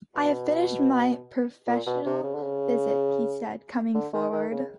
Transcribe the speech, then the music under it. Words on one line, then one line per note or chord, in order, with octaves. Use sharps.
"I have finished my professional visit," he said, coming forward.
B2
A#2
B2
C3
C#3
D3
C#3
D3
D#3
D#3
C#3